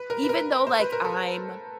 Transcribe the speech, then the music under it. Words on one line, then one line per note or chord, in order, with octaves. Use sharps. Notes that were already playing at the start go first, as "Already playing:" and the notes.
Even though, like, I'm
Already playing: B4
A#4
B4
A#4
C5
B4
A#4
A4